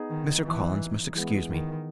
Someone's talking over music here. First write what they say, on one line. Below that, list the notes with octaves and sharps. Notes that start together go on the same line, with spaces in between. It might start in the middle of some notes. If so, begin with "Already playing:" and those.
Mr. Collins must excuse me.
Already playing: B3 D#4 G#4
D#3
E3
E3 G#3 B3
D#3